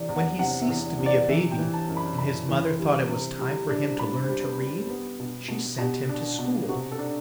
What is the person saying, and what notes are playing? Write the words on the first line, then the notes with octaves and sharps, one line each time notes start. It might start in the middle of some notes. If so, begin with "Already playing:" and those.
When he ceased to be a baby, and his mother thought it was time for him to learn to read, she sent him to school.
Already playing: C3 E3 D5
E2
F#5
C3 F#5
E5
E2
C3
D5
E3 E5
G5
E3
A5
F#2
B5
F#2 B5
E3
C6
G3
C3
G3
D4
G3 B5
C5
G3
B4
G3
G4
B3
B2
B2
B2 G4
D4
B2
C3 F#4
A4
D4